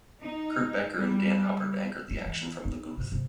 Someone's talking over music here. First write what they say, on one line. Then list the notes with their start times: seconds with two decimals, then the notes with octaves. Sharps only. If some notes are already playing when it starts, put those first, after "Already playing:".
Kurt Becker and Dan Hubbard anchored the action from the booth.
0.23 D#4
0.95 G3
2.11 F#3
2.26 E3
2.65 D#4
2.97 C3
3.12 C3